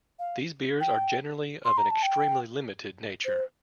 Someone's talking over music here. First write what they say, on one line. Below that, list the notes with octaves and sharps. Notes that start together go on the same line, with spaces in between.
These beers are generally of an extremely limited nature.
F5
G5
C6
A#5
A5
G5
C5